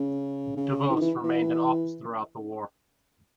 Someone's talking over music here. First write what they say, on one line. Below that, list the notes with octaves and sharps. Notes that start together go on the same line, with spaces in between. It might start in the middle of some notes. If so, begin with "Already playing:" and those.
De Vos remained in office throughout the war.
Already playing: C#3
C#3
E3
D#3
E3
E3